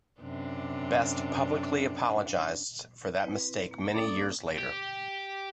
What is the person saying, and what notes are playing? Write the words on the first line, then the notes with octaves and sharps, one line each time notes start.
Best publicly apologized for that mistake many years later.
F#2 C3 D4
C4 E4 B4
A#3
A#3 C#4 E4 A4 D5 D#6
G4